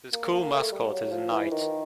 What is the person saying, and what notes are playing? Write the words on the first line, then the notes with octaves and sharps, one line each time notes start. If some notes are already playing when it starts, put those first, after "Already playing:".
The school mascot is a Knight.
A#3
A#3
A3
G3
F#3
F3
E3
D#3